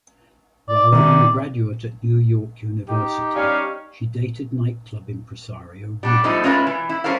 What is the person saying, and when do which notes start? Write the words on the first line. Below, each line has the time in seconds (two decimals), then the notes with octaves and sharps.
While an undergraduate at New York University, she dated nightclub impresario Rudolph.
0.68 D5
0.92 C3 D#3 D5
2.88 D#4 G4
3.35 G3 C#4 F5
6.03 G3 D4 F#4
6.24 A2 F3 G3 A3 D#4
6.44 G#3 C#4 F4 A#4 B4 E5
6.67 E3
6.89 E4
7.04 G3 C#4 A4 A#4 C5 F5